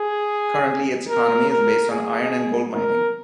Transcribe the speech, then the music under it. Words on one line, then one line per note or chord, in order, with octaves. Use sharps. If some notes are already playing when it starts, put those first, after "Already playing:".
Currently its economy is based on iron and gold mining.
Already playing: G#4
A#4
A#4
G#4
A#4